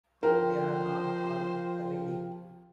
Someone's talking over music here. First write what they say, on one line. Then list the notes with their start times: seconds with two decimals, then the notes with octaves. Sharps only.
They are not all equally deep.
0.23 F3 A#4 C5 G5